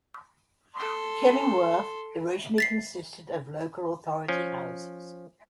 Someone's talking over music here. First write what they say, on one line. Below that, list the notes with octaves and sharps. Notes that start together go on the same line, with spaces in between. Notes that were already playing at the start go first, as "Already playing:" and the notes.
Killingworth originally consisted of local authority houses.
A4 C6
A6 B6 C7
F3 C#4